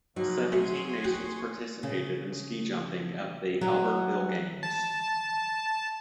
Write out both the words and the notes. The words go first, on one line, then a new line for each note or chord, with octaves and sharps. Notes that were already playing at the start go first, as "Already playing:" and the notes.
Seventeen nations participated in ski jumping at the Albertville Games.
C#3 F3 F#3 A#3 D#4
B2 A3 F#4 G#4 C#5 G#5 C6 C#6
F#4 F#5 G5
C#3
F#3
A5